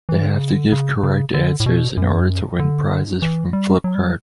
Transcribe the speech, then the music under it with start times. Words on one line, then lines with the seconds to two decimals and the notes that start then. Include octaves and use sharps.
They have to give correct answers in order to win prizes from Flipkart.
0.09 E3
0.22 D3
0.36 C#3
0.50 D3
0.72 C#3
1.03 C#3
1.34 D3
1.60 A2
1.66 B2
1.97 F#2
2.59 D3
3.22 E3
3.53 G3
3.84 F#3
3.95 G3
4.05 F#3